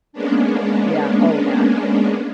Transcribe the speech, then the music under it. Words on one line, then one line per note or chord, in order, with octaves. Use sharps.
Yeah oh, yeah.
G#3 A#3 B3 C#4 D4